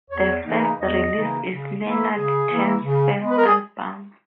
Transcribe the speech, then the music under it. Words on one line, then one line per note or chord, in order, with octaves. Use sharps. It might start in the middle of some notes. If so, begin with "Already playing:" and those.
The first release is Leonard Tan's first album.
E2 C#5
C#3 E3 A#3 D#4
E2 D#5
C#3 E3 A#3 D#4
C#3
E3 A#3 E4
C#3 G#4
E3 A#3 E4
C#3
G#3 B3
B4
A#4
G#4